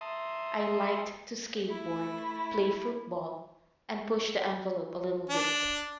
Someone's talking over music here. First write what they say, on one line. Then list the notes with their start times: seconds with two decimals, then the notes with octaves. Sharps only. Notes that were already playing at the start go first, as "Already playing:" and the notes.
I liked to skateboard, play football, and push the envelope a little bit.
0.01 E5 A5 A#5 C6 D#6
1.65 A3 E4
5.30 D4